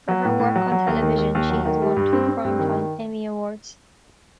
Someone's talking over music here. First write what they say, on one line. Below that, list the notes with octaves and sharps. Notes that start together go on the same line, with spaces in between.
For her work on television, she has won two Primetime Emmy Awards.
F#3
A2
A2
F#3
F#3
D#2
D#3
D#2
D#2
F#3
D#3
G3
G2
C4
C4
G2
D#3